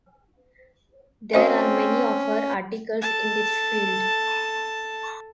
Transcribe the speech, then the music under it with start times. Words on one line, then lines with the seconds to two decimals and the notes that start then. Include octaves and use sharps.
There are many of her articles in this field.
1.33 C4 C#4 F#4 C5 D#5
3.00 A4 A5